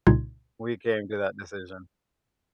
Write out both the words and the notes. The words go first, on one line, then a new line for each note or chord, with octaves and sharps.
we came to that decision.
C2 A#2 C#3 D#4 C6 G#6